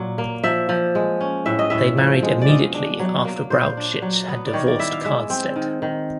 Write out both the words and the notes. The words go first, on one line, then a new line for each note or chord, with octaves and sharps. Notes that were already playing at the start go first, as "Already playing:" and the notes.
They married immediately after Brauchitsch had divorced Karstedt.
Already playing: A#2 F#3
A#3
F3 E5
F3
G#3
C#4
A2 E5
D#5
A2 E5
F3
G#3
D5
B2 D#5
D4
F#3
A#3
A#2 C5
D4
F#3
B3
D5
D#3 C#5
D5
E4 E5
F5
G#3 E5
C4
D#3
D#3